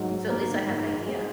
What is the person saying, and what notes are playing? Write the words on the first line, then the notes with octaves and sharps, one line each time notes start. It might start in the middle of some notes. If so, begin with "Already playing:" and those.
so at least I have an idea?
Already playing: G#2 F#3
G#2
A#3
D#3
G#2
G#2
G#3